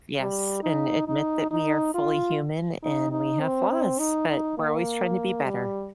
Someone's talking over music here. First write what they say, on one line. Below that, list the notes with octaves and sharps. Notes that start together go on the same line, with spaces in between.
yes, and admit that we are fully human and we have flaws, but we're always trying to be better.
G3
D#4
D#4
D#4
F4
D#4
D#4
C4
C4
D#4
D#4
A#3
G3